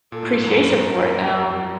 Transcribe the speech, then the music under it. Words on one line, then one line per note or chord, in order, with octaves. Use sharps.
appreciation for it now.
A#2 A4
A2
G#2
F#2 A#4
G2
F#2 A#4
F#2
F2